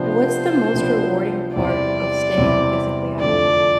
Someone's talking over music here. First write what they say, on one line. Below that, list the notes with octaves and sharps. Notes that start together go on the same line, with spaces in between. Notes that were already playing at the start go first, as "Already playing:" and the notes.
What's the most rewarding part of staying physically active?
Already playing: C3 F3 B3 D4 C5
C3 F3 B3 D4
E2 C3 G3 C4 E4 D5
E2 C3 G3 C4 E4
F2 D3 F3 A3 D5